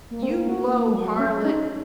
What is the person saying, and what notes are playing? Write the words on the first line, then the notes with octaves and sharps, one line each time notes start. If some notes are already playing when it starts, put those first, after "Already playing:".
"You low harlot!"
A#3
C4
A#3
F#4
A#3
A3
F#3
C#4
D#4